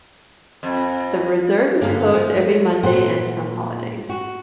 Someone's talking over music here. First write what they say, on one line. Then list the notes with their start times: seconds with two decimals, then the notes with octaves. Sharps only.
The Reserve is closed every Monday and some holidays.
0.63 F2
1.81 G2 D3 A#3 G#4 F5
2.13 F3
2.36 A3
2.83 A#2 C5 F#5
4.09 F#4